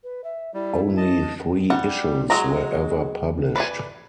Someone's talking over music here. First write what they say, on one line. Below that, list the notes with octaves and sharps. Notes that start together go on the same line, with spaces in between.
Only three issues were ever published.
B4
E5
G3 E4
D#5 A5
G3 F#5
F#3 G#3 A#5
B4 D5 G#5